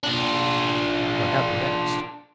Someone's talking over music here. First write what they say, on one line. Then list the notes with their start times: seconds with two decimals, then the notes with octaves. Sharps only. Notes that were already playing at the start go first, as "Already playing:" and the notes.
"What happened next?"
0.04 D4 F4